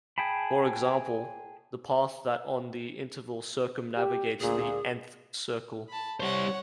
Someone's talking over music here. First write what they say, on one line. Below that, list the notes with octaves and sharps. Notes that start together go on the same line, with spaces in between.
For example, the path that on the interval circumnavigates the "n"th circle.
G#4 G5 A5 B5
G4
D2 A#2 G#4
A5 B5
G3 C5 C#5 F#5